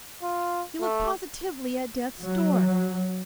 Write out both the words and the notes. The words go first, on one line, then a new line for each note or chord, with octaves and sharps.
You look positively at death's door.'
F4
A3
F#3